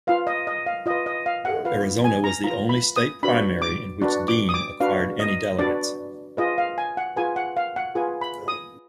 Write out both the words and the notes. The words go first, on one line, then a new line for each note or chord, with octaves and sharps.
Arizona was the only state primary in which Dean acquired any delegates.
F4 B4 F5
D#5
D#5
F5
F4 B4 D#5
D#5
F5
F#5
F4 B4 F5
G#5
A#5
F4 B4 A#5
B5
D#6
D4 F#4 B4 B5
D6
D4 F#4 B4
D6
D#6
D6
D4 F#4 B4 F5
D#5
D4 F#4 B4 D5
F4 G#4 B4 D#5
F5
G#5
F#5
F4 G#4 B4 G#5
F#5
F5
F#5
F4 G#4 B4 G#5
B5
D#6